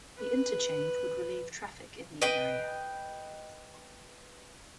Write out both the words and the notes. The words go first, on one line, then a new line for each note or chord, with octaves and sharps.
The interchange would relieve traffic in the area.
B4
B4 D#5 G5